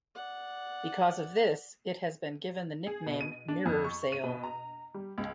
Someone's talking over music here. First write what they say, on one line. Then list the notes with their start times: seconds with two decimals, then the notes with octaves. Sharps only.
Because of this, it has been given the nickname "Mirror Sail".
0.15 D5 F#5
2.87 G#4
3.06 B2
3.21 D#7
3.48 D4
3.66 F2
3.84 C#6
4.12 D#7
4.24 B2
4.43 A#5
4.94 G3
5.18 C#2